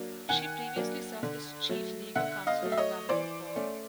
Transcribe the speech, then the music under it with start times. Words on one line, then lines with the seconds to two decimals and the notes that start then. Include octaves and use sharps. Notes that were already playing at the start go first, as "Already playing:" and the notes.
She previously served as Chief Legal Counsel to the Governor of Guam.
Already playing: F#3 A#3 D4
0.29 D#3 F#5 G#5
0.76 F#3 A#3 D4
1.23 D3
1.69 F#3 A3
2.15 D3 E5 F#5
2.47 D#5 F5
2.63 F#3 A3
2.72 E5
2.78 C#5 D#5
3.09 E3 C5 D5
3.56 A3 C#4